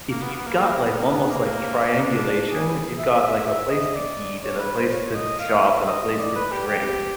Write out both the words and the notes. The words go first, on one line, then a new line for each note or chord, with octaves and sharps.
if you've got like almost, like, triangulation, if you've got, like, a place to eat, and a place to shop, and a place to drink,
A#3
B3
B3
A#3
A#3
B3
A#3
B3
A#3
D#4
D4
G#4
E5
E5
E5
D#5
D5
C#5
B4
C5
C#5
D#5
F5
E5
D#5
D#5
D5
B4
G4
G4